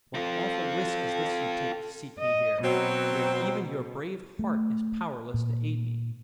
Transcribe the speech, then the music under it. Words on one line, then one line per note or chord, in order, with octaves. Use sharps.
"What awful risk is this you take to seek me here, where even your brave heart is powerless to aid me."
C4 F4 A4
D#5
B2 F#3 C4
A3
A#2